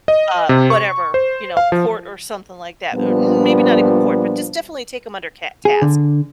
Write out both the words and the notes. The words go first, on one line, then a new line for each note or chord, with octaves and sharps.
uh, whatever, you know, court or something like that, or, um, or maybe not even court, but just definitely take them under cat task.
D#5
C3
C#6
C5
F5
F3
A#2 F3 G3 B3 D4
G#4
D3